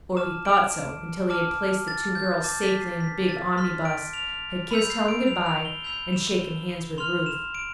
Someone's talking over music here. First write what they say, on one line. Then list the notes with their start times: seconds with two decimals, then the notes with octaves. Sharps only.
Or, he thought so until he had placed the two girls safely in the big omnibus, had kissed Helen good-bye, and shaken hands with Ruth.
0.17 A5 D6 F6 E7
0.46 D7
1.30 A5 D6 F6
1.88 A6
2.15 G6
2.44 A5 D6 G6 A6
2.63 B6
2.82 C7
3.00 B6
3.29 A6
3.58 C6 F6 B6
3.85 D7
4.13 F7
4.71 B5 E6 G6 F7
4.90 C7
5.08 D7
5.27 F7
5.46 F7
5.65 G7
5.84 B5 E6 G6 F7
6.13 E7
6.41 G7
6.98 C6 F6 F7
7.26 E7
7.55 D7